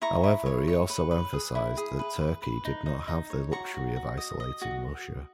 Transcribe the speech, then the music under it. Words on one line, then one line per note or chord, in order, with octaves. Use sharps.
However, he also emphasised that Turkey did not have the luxury of isolating Russia.
E4 A#5 C#6
E4
C#5
C#5
B4
B4
G#4
E4
G#4
B4
B4
B4
D#4
D#4
D#4
C#5
F#4 A#5 C#6
F#4
F#4
D#5
D#5
F#4